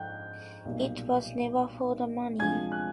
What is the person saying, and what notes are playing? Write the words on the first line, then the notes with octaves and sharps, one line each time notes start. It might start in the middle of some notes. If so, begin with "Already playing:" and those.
It was never for the money.
Already playing: G#2 F3 G5 F#6 G6
B1 A#2 G3
D2 C3 F3 G#3 G#5 G#6
F#6